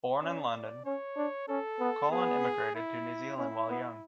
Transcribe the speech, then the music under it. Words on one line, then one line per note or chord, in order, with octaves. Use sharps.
Born in London, Cullen emigrated to New Zealand while young.
C#4 D5
C#4 C#5
D4
C#4 A4
B3
B3 G#4
E4
C#4 E4
B3